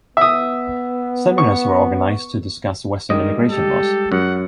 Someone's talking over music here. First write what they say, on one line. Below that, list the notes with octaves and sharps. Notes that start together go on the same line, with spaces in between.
Seminars were organized to discuss Western immigration laws.
B3 E5 D#6
C#6
D#3 G3 G#3 D#5
G4 A4
F#2 F#5